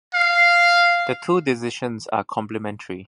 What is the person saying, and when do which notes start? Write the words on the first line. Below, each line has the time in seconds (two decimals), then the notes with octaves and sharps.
The two decisions are complementary.
0.14 F5